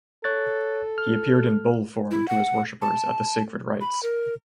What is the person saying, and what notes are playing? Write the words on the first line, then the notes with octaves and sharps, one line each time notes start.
He appeared in bull form to his worshipers at the sacred rites.
A4 C#5 F#6 A6
F6
E4
F#5
A5
B5
A#4